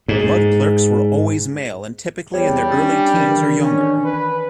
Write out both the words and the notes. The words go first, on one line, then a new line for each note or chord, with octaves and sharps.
Mud clerks were always male, and typically in their early teens or younger.
G#2
E2 G3 C#5
C#4 D4 A6
D#3 E3 A#4
C#4
B4